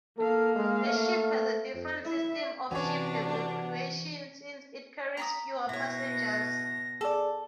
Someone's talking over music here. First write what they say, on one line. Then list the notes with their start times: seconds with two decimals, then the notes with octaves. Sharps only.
The ship has a different system of ship evacuation since it carries fewer passengers.
0.19 A#3 A4 F5
0.56 G#3
0.86 A3
1.75 F2
2.06 E4 E5
2.71 C3 E3 C#4 D4 F#4 C#5
5.17 A#5 B5 D#6
5.69 B2 E4 C#5 A#6
7.01 G#4 A4 D5